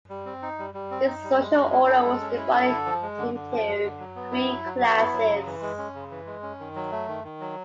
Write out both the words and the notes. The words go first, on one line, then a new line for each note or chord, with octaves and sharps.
This social order was divided into three classes.
G3
C4
D#4
G3
G3
C4
D#4
G3
G#3
C#4
E4
A4
G#3
C#4
E4
A4
D3
F3
G#3
D3
D3
F3
G#3
D3
F#3
B3
E4
F#3
F#3
B3
E4
F#3
C#3
E3
G#3
C#4
C#3
E3
G#3
C#4
D#3
F#3
A3
D#3
D#3
F#3